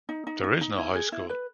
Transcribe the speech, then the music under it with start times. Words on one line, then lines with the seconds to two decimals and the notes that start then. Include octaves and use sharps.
There is no high school.
0.09 D#4
0.27 D#4
0.43 D#4
0.61 D#4
0.78 E4
0.95 G#4
1.12 E4
1.29 B4